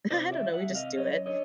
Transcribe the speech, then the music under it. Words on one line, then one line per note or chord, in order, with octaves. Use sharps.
I don't know- we just do it.
C3 C5 D5
D5 E5
D#3
E5 F#5
C3
D#5 F5
F#2 C#5 D#5
D3 C#5 D#5